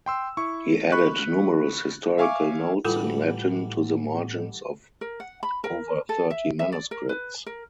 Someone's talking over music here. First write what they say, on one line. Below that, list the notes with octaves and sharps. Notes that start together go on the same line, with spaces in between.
He added numerous historical notes in Latin to the margins of over thirty manuscripts.
G5 C6 E6
E4 C#6
B5 C#6 F#6
E5 F5 G#5 C#6 D6
A2 D3 E3 G3 E4 F4 A4
A#4
F#5
B5
A#4
A4
E5
E5
D5
A#4
B4
A#4